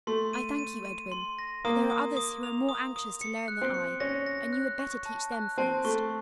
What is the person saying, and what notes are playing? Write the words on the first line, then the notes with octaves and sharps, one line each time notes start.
"I thank you, Edwin; but there are others who are more anxious to learn than I, and you had better teach them first."
A3 C6
D#7
D#7
D#7
C6
A#6
A#3 D#6
D#6
D#6
F7
D#6
D#6
C#7
F#6
C4
C#7
C#4 A#6
A#6
F#6
C#6
A5
F#6
C4 A5
A3 C#6